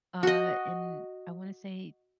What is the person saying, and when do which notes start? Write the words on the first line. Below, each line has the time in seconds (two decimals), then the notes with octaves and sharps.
uh, and I wanna say
0.23 F#4 D#5